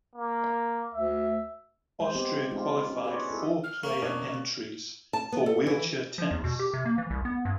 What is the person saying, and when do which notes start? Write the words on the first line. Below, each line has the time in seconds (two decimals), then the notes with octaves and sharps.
Austria qualified four player entries for wheelchair tennis.
0.16 A#3
0.94 D2 E5
2.00 G#3 C5
2.15 B3 C4 G4
2.51 G#3 D#4 F4
2.88 C#4
3.03 F4 F#4 G#4 B4 C#5 D5
3.30 E4 G#4 A4
3.64 F6
3.84 A#3 C#6
4.02 B2 C#4 D4
5.13 A5
5.32 B3
5.46 A4
5.66 E3
6.18 F3
6.31 E2
6.44 B2
6.59 G4
6.74 C3
6.86 A#3
6.98 E3
7.10 C2
7.25 B3
7.45 G2